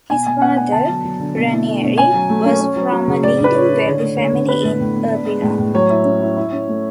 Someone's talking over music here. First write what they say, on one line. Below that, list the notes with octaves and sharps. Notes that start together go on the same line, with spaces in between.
His father, Ranieri, was from a leading wealthy family in Urbino.
B2 G#5
B2 G#5
B3 F#5
D4 G#5
D3 A5
F#3
F#3
D3
B2
E4
A3
B2
C#4 G#5
F#3
A3
C#4
C#4
F#3
F#3
C#3
A2 D5
A2 B4
C#4 C#5
E4
D3 C#5
A3
D3 C#5
D3
B3 B4
A2
A2
B3
D4
G#3
A2
A2
F#3 C#5
E4
C#4
E4
E4
C#4
A3